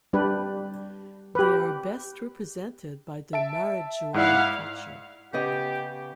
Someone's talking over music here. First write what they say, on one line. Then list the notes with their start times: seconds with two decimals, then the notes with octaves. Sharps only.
They are best represented by the Marajoara culture.
0.13 G3 D4 G4 B4
1.35 G4 B4
3.33 E5 A5 D7
4.14 G#2 E4 D5 F5 F#5
5.33 C#3 B3 G4 D#5